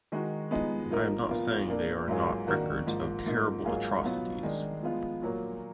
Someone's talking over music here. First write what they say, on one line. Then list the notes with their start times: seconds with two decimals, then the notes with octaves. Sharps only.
I am not saying they are not records of terrible atrocities.
0.12 D#3 G#3 D#4 F#4
0.51 F3 G#3 B3 D#4
0.91 F3 A#3 D#4 A#4
1.29 A#2 F3 B3 F4 A#4
1.68 A#2 F3 A#3 D4
2.08 G#2 F#3 A#3 F4 G#4
2.47 D#3 A#3 D4 F#4 A#4
2.86 G#2 F3 A#3
3.26 G#2 F3 A#3 D#4
3.65 G#2 F#3 A#3 F4 G#4
4.04 B2 F#3 B3 F4
4.43 D#3 G#3 D4
4.83 F3 G#3 B3 F4
5.22 A#2 F#3 A#3